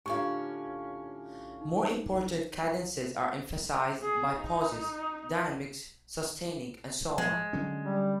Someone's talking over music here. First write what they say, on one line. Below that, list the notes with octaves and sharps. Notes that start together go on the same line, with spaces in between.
More important cadences are emphasized by pauses, dynamics, sustaining and so on.
A2 D3 C#4 F4 G4 F5 C#6
D#4
G#4
D#4
F3 G#3
D3 F#3 C#4
G3